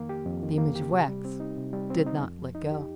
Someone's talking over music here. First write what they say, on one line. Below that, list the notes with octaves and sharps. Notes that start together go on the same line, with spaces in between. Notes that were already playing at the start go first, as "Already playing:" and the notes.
The image of wax did not let go.
Already playing: F2 D#3 A#3
G4
F2
D#3
A#3
G4
C3
G3
C4
D#4
C3
G3
C4
D#4
F2
F3
D#4
G4